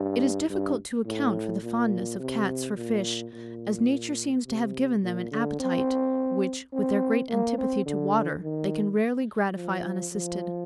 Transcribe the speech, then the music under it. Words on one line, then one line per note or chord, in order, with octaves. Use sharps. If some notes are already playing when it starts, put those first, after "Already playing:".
It is difficult to account for the fondness of Cats for fish, as nature seems to have given them an appetite, which, with their great antipathy to water, they can rarely gratify unassisted.
Already playing: G2
G2
A2
A#2
C3
A#2
A#2
C3
A#2
D3
C4
C4
A#3
C4
D3
D#3
F3
F3